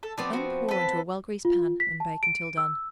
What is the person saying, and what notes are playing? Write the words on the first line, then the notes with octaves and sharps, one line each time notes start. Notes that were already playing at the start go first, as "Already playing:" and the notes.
Then pour into a well-greased pan and bake until done.
A4
F3 B3 C4 D5
F#4
A4 B4
F4
B6
A5
D7
E6